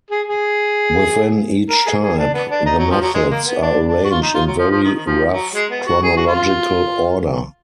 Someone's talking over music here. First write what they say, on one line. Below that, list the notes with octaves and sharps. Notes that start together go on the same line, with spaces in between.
Within each type, the methods are arranged in very rough chronological order.
G#4
G#4
A#4
G#4
G#4
D4
B3
D4
D#4
F#3
F3
F#3
G#3
A#3
B3
D4
D4
F#4
F4
D#4
F4
F#3
F3
F3
D#3
D#3
F3
F#3
G#3
B3
F#4
G#4
F#4
F4